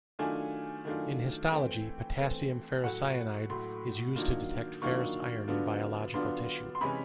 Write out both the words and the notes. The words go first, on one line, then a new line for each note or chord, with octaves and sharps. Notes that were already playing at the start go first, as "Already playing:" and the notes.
In histology, potassium ferricyanide is used to detect ferrous iron in biological tissue.
D#3 F#3 A3 D4 F4 G#5
D#3 F#3 A3 D4 F4
E3 A3 C4 G5
E3 A3 C4
A2 F#3 A3 F#5
A2 F#3 A3 C6
D#3 F#3 A#3 D4 F4
D#3 F#3 A#3 D4 F4 C#6
D3 F#3 B3 D4 F4
D3 F#3 B3 D4 F4 C6
C6
C3 E3 G#3 C#4 B5